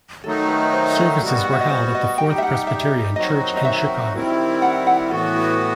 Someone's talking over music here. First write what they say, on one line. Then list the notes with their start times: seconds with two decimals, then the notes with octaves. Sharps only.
Services were held at the Fourth Presbyterian Church in Chicago.
0.24 D#3 F#3 A3 D#4 A4
0.48 B4
0.62 B4
0.73 C5
0.97 D#5
1.21 G3 B3 F#4
1.44 F#5
1.53 E5
1.61 D#5
1.69 C5
1.95 D#5
2.18 G3 D#4 G4 G5
2.38 E5
2.43 F#5
2.67 E5
3.16 D#3 F#3 C4 D#4 F#4 D#5
3.57 D#5
3.65 E5
4.13 D#3 G3 C4 E4
4.62 F#5
4.87 F#5
5.10 A2 E3 B3 F#4 A4
5.35 E4